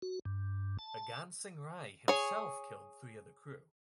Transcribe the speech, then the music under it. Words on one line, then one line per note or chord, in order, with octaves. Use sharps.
Agansing Rai himself killed three of the crew.
F#4
G2
A5
G#4 C#5